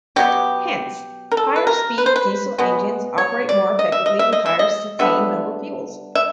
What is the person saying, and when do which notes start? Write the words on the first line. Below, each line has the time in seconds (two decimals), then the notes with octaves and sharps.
Hence, higher speed diesel engines operate more effectively with higher cetane number fuels.
0.16 B2 F#3 B3 G4
1.32 A#4
1.37 A4
1.56 B4
1.67 A#4
1.98 B4
2.06 C5
2.16 B4
2.58 B2 G#3 B3
3.18 C#5
3.49 D5
3.79 D#5
3.92 E5
4.06 D#5
4.19 E5
4.33 D#5
4.46 E5
4.59 D#5
4.99 D3 G3 B3 E5
6.15 E5